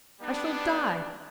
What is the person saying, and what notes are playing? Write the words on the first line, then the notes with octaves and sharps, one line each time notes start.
I shall die!
G3 B3 D4